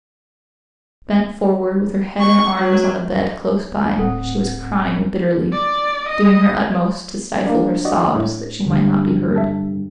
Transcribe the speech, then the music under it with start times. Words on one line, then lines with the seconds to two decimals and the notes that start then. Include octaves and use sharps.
Bent forward, with her head and arms on the bed close by, she was crying bitterly, doing her utmost to stifle her sobs that she might not be heard.
2.20 C#6
2.57 F#3
3.99 D1 A2 C4 A4 F#5
5.52 D5
6.09 D#5
7.46 A#3 D4 D5
7.85 F#4 D5 D#5
8.15 A2
8.66 G2 D3
9.36 A4 E5